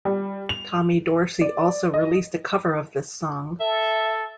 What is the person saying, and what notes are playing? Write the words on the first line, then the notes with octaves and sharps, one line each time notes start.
Tommy Dorsey also released a cover of this song.
G3
F7
D5
D#5
A4 E5